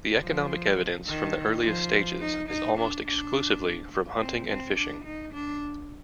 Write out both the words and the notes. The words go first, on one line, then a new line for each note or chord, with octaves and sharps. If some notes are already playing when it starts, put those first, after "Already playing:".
The economic evidence from the earliest stages is almost exclusively from hunting and fishing.
F3
D#3
F3
D#4
D#4
D4
D4
C4
C4
D4
D#4
D4